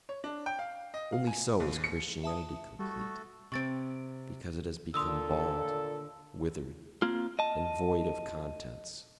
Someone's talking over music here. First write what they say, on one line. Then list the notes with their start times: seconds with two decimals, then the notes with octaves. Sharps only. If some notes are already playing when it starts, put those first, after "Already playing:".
Only so is Christianity complete, because it has become bald, withered, and void of contents.
0.09 C#5
0.24 D4
0.46 G5
0.59 F5
0.94 D#5
1.12 F5
1.27 G#5
1.60 D#2
1.84 C#7
2.24 E5 A5 D#6
2.79 G3 A3 F#4 A4
3.52 C3 C4 C#6 A6 D7
4.94 A#2 D3 A4 C6 D#6 E6
7.02 A#3 C4 F4
7.39 D#5 A5